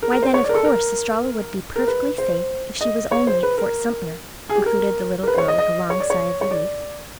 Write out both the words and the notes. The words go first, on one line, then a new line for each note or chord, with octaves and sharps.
Why, then, of course Estralla would be perfectly safe if she was only at Fort Sumter, concluded the little girl, with a long sigh of relief.
A#4
A#4
C5
C#5
D5
A#4
A4
A#4
A#4
B4
C5
D#5
C#5
C5
B4
A#4
G#4
G4
A#4
A#4
B4
C5
C#5
D#5
D#5
C#5
D5
C#5
C#5
D5